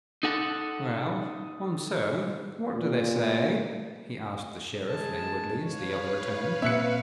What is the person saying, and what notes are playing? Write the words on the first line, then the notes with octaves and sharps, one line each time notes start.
"Well, Monceux, what do they say?" he asked the Sheriff, languidly, as the other returned.
D#4 A4 F#5
A#2
G#3 A5
B4 C#5 F5
A#2 C4 E5 F#6 C#7